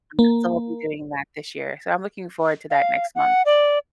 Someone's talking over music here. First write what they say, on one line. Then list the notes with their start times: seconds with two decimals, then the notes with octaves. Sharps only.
Um, so we'll be doing that this year. So I'm looking forward to that next month.
0.19 A#3
2.71 F5
3.16 F#5
3.46 D5